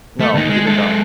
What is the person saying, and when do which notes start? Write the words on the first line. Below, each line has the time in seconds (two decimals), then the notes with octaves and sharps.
No, you did not.
0.20 A3
0.35 D#2 D#4
0.49 G#3
0.67 G#3 A4